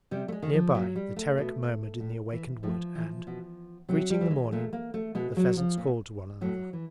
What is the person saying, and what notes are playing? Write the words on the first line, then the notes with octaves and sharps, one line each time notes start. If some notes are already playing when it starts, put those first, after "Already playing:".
Near by, the Terek murmured in the awakened wood and, greeting the morning, the pheasants called to one another.
C3 G3
A3
G#3
D#3
F3
A#2 F#3
G3
A3
B2
A2
E3
A2 F3
E3
B2
C3 F#3
G3
E3
G#3
A#2 A3
A#3
A3
B2 G#3
F#3
F3
A#2
A2 F#3
E3